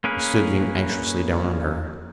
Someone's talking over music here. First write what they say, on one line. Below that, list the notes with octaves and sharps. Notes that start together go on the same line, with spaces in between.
He stood looking anxiously down on her.
A#3 C#4 G#4 A#4 B4